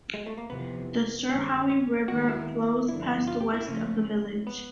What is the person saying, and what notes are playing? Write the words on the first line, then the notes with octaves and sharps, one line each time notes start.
The Sirhowy River flows past the west of the village.
G#3
A3
A#3
F2 C3 E3 B3
G2 D#3 G#3 C4
C#4
D#2 D#3 G#3 B3 D#4 F#4
E4
G2 D3 F3 E4
F4
G4
E4
C#3 F3 A3 C4 C#4
B3